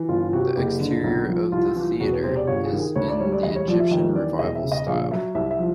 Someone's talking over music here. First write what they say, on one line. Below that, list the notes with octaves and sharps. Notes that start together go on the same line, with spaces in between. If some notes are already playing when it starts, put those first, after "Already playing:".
The exterior of the theatre is in the Egyptian Revival style.
Already playing: E3
G1 F4
C3 F#4
F#1 G4
D3
B1
F3
C2 F4
E3 F4
E1 F#4
B4
C3 C5
D5
G1 C#5
G#4
D#3
G#4
D2 C#5
D5
G3 C#5
D5
E2 D#5
C#5
F3 D5
E5
D#2 D#5
E3 D5
E1 D#5
E5
C#3
D#5
A#1 F5
F#3 E5
C2 E5
E5
F3